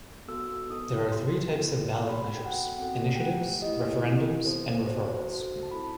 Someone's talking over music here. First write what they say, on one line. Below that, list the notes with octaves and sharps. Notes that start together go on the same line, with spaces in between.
There are three types of ballot measures: initiatives, referendums, and referrals.
B3 F#4 A4 E6
D#4 A4 D#6
B3 E4 G4 C6
B3 E4 A4
B3 D#4 G4 C6
B5
B3 D#4 F#4 A4 G5
F#5
G5
C4 F#4 A4 F#5
G5
A3 D#4 G4 F#5
A3 E4 G4 D#5
C4 E4 G4
B3 D#4 A4 C5
D#4 F#4 A4 C5
D#4 F#4 A4 C5
A5
C4 E4 A4 B5